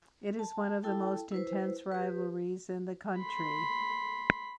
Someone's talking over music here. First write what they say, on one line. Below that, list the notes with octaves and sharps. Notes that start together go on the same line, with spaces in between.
It is one of the most intense rivalries in the country.
A5
E4 A4 G5 A5
E4 B4 C5
G4 B4
B5 C6